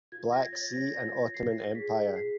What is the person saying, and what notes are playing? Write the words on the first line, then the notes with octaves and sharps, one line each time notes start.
Black Sea and Ottoman Empire.
F4 G#6
A#6
G#6
C#5 A6
A#6
F4 A#6
F4 C7
G#4 B6
G#4 C7